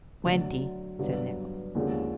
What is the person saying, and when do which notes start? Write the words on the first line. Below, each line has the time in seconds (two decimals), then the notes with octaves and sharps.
"Twenty," said Nicholl.
0.24 D2 D3 F#3
0.99 G2 D3 F#3 B3
1.75 D#2 D3 F3 G#3 C#4